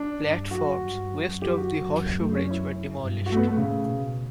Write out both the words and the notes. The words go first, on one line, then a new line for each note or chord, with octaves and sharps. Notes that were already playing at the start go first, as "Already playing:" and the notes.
Platforms west of the Horseshoe Bridge were demolished.
Already playing: D4
G2
F#2 F#4
G2
F#2
G4
F#4
F#2
A3
C#4
E4
G2
F#4
A3
B3
A3
A2 C#3
B2